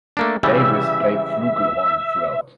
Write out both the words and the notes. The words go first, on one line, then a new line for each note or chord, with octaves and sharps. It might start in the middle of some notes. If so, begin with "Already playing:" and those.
Davis played flugelhorn throughout.
A3 A#3 D4
C#3 E3 G3 E5